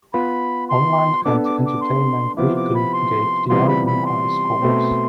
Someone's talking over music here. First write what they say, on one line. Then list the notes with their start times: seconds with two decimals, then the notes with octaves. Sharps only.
Online and "Entertainment Weekly" gave the album high scores.
0.14 B3 F4 B4 B5
0.70 C6
1.26 B3 D4 A4 D6
1.46 D6
1.67 D6
1.81 C6
2.37 C3 F3 B3 E4 D6
2.57 D6
2.75 B5
2.94 C6
3.50 C3 E3 G3 B3 F4 C6
3.68 B5
3.87 B5
4.06 C6
4.62 B2 A3 C4